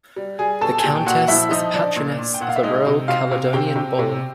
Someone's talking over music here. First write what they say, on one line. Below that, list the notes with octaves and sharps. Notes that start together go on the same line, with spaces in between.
The Countess is a Patroness of the Royal Caledonian Ball.
G3
G3 G#4 G#5
B2 A4 A5
G#5
A#2 G4 G5
G5
A#2 F#4 F#5
F3 E4 E5
F3 D#4 D#5
F3 D4 D5
A#2
A#2
G5
A#2 F#5
F5
E5
G#3 D#4 D#5
C3
C3 F4 F5
C3
C3 G4 G5
C3
C3